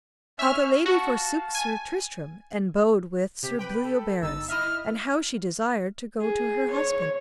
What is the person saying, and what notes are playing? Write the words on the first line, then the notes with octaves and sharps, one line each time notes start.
How the lady forsook Sir Tristram and abode with Sir Bleoberis, and how she desired to go to her husband.
C#4 E5 F6
F#4 F5 A5
G#5
C3 G4
B4 G5 B5
A4
G1 D#4 E6 A6
E4 D#5 E5 F6
G#4
C#5